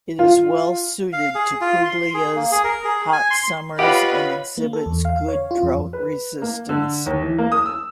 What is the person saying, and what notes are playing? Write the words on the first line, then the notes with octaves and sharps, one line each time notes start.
It is well suited to Puglia's hot summers and exhibits good drought-resistance.
F4
F5
G#4
F4
C6
G#4
A#3
G#4
A#4
G#4
G#5
C6
F4 G4 B4 C#5 D#5 F5 F#5 B5
A#3
A4
E2
F5
C#5
F4
F2
B4
A#3
D3
D#2
E3
A#3
D#6
E6